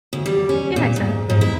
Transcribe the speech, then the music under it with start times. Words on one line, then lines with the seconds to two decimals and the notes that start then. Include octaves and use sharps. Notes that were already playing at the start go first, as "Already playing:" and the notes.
Yeah, exactly.
0.13 D2
0.26 G3
0.49 C#4
0.76 A#2
0.96 G#2
1.30 G#2
1.41 E4